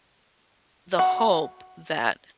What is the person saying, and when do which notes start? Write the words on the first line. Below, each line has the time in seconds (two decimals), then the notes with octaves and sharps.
the hope that
0.99 F#4